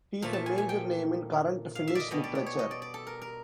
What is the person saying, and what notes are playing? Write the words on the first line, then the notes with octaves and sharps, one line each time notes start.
He is a major name in current Finnish literature.
A#2 F3 A3
A5
G#5
G#5
G5
F5
E5
D5 D#5
B2 G3 B3 D#5
D5
D5
C#5
D#5
D5
D5
A4
A#4
A#4